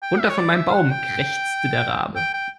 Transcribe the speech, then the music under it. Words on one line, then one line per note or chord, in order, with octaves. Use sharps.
"Runter von meinem Baum", krächzte der Rabe.
G5
E5
C#5
D5
E5
F#5
G5
G5
G5